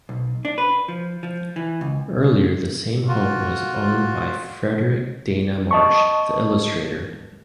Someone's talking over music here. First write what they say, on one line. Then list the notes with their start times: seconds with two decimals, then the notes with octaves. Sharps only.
Earlier, the same home was owned by Frederic Dana Marsh, the illustrator.
0.09 B1
0.45 D4
0.58 B4
0.88 F3
1.23 F3
1.56 E3
1.81 C#2
3.08 F4 F#4
5.71 D#5 A5 C#6